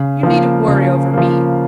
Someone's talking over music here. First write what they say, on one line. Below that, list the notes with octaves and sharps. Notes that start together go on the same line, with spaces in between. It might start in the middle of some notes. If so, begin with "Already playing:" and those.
You needn't worry over me.
Already playing: C#3
F3 A#3
C#3
F3 A#3